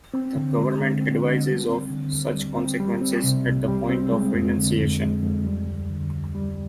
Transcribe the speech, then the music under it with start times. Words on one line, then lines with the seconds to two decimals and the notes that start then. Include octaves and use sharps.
The government advises of such consequences at the point of renunciation.
0.14 C4
0.35 D3
0.57 G#3
0.80 D3
1.01 C4
1.24 D3
1.46 G3
1.68 C4
1.91 D3
2.12 D#2
2.34 G3
2.57 C4
2.80 G3
3.01 C4
3.24 C3
3.46 C2
3.68 G3
3.90 C4
4.12 G#3
4.34 F2
4.57 D3
4.79 F2
5.00 G#3
5.23 F2
5.46 G3
5.67 D2
5.90 D3
6.11 D2
6.35 G3